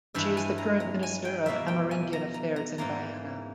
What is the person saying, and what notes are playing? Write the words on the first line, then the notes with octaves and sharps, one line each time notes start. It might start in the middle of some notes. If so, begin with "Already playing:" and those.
She is the current Minister of Amerindian Affairs in Guyana.
G2 E3 G#3 E5
G#5
A#5
A#5
G#5
G5
E2 B2 A#3 E5
G5
G#5
A#5
A#5
A#5
G#2 E3 A#3 A#5